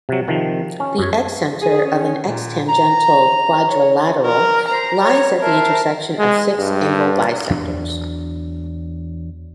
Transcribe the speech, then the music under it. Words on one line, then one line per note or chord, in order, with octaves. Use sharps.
The excenter of an ex-tangential quadrilateral lies at the intersection of six angle bisectors.
C3 F#3
C3 D#3 F3
C#4
F#2 C#5
G#4
C#4
A#2
A#5
C#5
A#4
C5 A#5
C#5
A#4 C5 E5 A5
G#3
G2
E2 F#3 D4